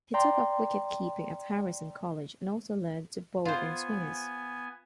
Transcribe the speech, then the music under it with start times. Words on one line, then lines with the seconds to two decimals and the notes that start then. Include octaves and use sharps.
He took up wicket-keeping at Harrison College and also learned to bowl inswingers.
0.14 D5 G5 A#5 C6
3.45 B3 F4 C5 G#5